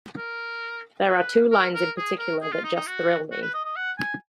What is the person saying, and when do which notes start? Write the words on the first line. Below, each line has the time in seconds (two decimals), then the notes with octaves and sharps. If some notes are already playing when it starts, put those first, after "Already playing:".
There are two lines in particular that just thrill me.
0.17 A#4
1.08 B4
1.52 A#4
1.75 A#4
1.97 G#4
2.19 A#4
2.42 G#4
2.53 F4
2.64 D#4
2.76 D#4
2.87 F#4
3.32 F#4
3.42 B4
3.54 D#5
3.65 D#5
3.76 F#5
3.99 G#5